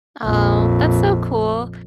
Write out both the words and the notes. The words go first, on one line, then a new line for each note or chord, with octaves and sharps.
Oh, that's so cool.
A#1 F2